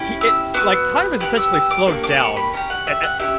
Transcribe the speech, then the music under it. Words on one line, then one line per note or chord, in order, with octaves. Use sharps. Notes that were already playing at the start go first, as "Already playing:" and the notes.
he it like, time is essentially slowed down and
Already playing: C#4 E4 G4
E6
B3 F#4 E6
B3 E4 G4 F#6
E6
E6
D6
A#3 D4 G4 C#6
D6
C#6
B5
C#4 G4 A#5
F#5
E5
F#5
C#4 E4 G4 E5